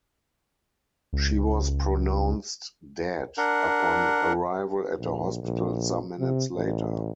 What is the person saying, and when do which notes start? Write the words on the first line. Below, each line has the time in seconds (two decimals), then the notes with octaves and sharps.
She was pronounced dead upon arrival at a hospital some minutes later.
1.13 C#2
3.38 D4 A#4 F#5
4.99 A#1
5.42 A#1
6.19 C3
6.55 A1